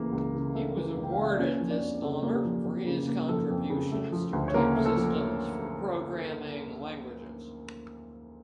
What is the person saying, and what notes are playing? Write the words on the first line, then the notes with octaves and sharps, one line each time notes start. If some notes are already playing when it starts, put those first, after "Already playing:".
He was awarded this honor for his contributions to type systems for programming languages.
Already playing: C#2 C#3 E3 A3 A#3
C#2
C#3
A3
E3
C#2
G5
F5
C#3 E5
D5
A#3 C#4 C#5
F3
D4 D5
F2
C#3 A4
A#3
G4
F3
F2
C#3
A#3
F3 A4
F2
C#3
A3
F3
D2
C#5
C#3 A#3 A#4
A3
A4
F3